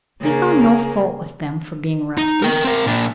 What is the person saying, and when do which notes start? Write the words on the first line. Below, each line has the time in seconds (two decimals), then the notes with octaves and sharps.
He found no fault with them for being rusty.
0.20 C#3 A#3 G#4
2.18 D#4
2.42 A#4 G5
2.65 C4 A#4
2.86 A#2 D4